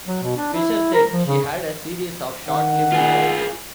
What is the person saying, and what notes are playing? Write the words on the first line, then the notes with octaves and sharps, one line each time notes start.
Fisher said she had a series of short-lived marriages.
F#3
B2
D4
E4
A#4
F3
C#3
D#3 F#5
F4 G#4